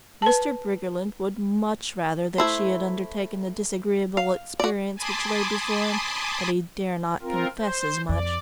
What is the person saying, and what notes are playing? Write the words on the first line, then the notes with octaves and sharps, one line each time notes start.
Mr. Briggerland would much rather that she had undertaken the disagreeable experience which lay before him, but he dare not confess as much.
B4 A5
A3 E4 C5
F5
F#4 D5
G#5 A5 B5 C6 D6 D#6
C4 F4 A#4
C5
F2 D5